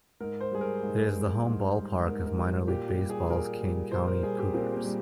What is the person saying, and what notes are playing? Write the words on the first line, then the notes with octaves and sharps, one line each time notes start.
It is the home ballpark of Minor League Baseball's Kane County Cougars.
G#2 A#4
C5
G3 G#4
A#4
G#2
G3
G#2
G3
G#2 A#4
A#4
G3
A#2 G4
G4
G3
G#4
A#2 A#4
G3
A#2 C5
A#4
G3 G#4
G4
A#2 C4
A#3
G3